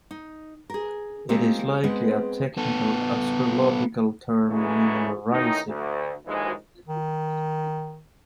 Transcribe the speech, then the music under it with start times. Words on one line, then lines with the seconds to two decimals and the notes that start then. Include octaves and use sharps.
It is likely a technical astrological term meaning rising.
0.11 D#4
0.70 G#4 A#4
1.29 G#3 A#3 C4 F4 G4 A4
1.84 G#3 B3 C4 G#4
2.58 B3 A4
4.48 G2 C#3 E3 F#3 G#3 A3
5.32 A1 D#3 D#4
5.67 D2
6.26 A#1 D#2 G#2 E3 G#3
6.88 D#3